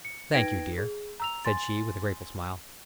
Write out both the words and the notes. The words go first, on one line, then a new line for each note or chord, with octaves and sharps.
"Thank you, dear," said she, with a grateful smile.
C#7
D#4 B4 G5 G#6 A#6 D7
G#4
A#5 E6 F7
G#5 C6 A6